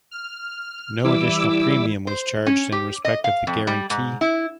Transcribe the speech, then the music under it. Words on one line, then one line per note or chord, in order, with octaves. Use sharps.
No additional premium was charged in respect of the guarantee.
F6
E3 G3 E4 D6 E6
C5
C#4
G4
D#5
F5
F2
G3
G#2
E4